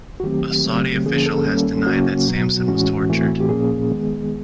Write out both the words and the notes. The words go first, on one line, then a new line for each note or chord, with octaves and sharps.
A Saudi official has denied that Sampson was tortured.
F#4
D#3 F#3 A3 C4 G4
C#3 F#3 A3 C4
D3 F3 A#3 C#4 G#4
A4
D#3 G3 A#3 C#4
C#3 F#3 A#3 C#4 F#4
B2 F#3 B3
A2 E3 G#3 C#4 F#4
A2 E3 A3 C4
G4
A#2 F3 A#3 C#4 G#4
D#3 G#3 B3